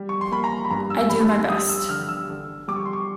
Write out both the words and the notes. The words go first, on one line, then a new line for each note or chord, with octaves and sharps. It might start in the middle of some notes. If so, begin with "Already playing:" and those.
I do my best.
Already playing: G3
C#6
C6
A#3 B5
A#5
B5
G2 A#5
E6
G2 B5
B5
C6
G3 D#6
E6
D3 F6
E6
D3
G3 D6
C#6
C6
C#6